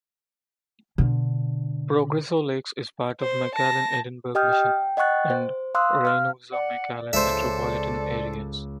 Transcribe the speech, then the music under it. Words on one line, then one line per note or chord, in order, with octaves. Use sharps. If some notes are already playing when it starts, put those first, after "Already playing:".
Progreso Lakes is part of the McAllen-Edinburg-Mission and Reynosa-McAllen metropolitan areas.
B2 D3
C5
A5 A#6
G4 D#5 G5 D#6 F6 G6
G5
D#5 F#5 G5 C#6 F#6 A6
C5
F5 C6 D#6 E6 F#6
F5 F6
D5 F#5
C#2 A4 C5 E5